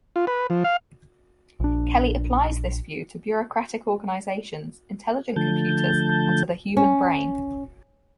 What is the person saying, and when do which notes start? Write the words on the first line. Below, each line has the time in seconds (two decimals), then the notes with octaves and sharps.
Kelly applies this view to bureaucratic organisations, intelligent computers, and to the human brain.
0.16 F4
0.27 B4
0.50 F3
0.64 F5
1.60 A#1 D4
5.36 D3 F3 A3 A5 G6
6.77 C#4